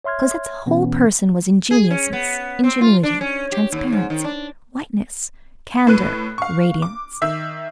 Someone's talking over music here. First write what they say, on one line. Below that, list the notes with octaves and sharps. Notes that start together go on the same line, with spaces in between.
Cosette's whole person was ingenuousness, ingenuity, transparency, whiteness, candor, radiance.
C#5 E5 C6 F6 G#6
B2 E3 B3 C#4
G#4
C#4
B3
C4
F4
D4
C#4
G4
D#2
G#2
D#3
D4
A2 B4 F#6 D#7
F5 C#6
D6
D#3 E5 E6